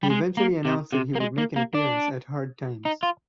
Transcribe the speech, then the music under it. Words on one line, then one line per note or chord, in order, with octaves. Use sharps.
He eventually announced that he would make an appearance at Hard Times.
G3
G#3
A#3
C3
C3
A#3
G#3
A#3
A#3
D4
D#4
F4